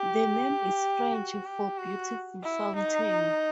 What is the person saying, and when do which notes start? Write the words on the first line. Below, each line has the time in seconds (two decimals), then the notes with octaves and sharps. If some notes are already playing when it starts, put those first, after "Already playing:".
The name is French for "beautiful fountain".
Already playing: G4
1.14 F#4
1.46 G4
1.78 F#4
2.43 E4
2.76 D#4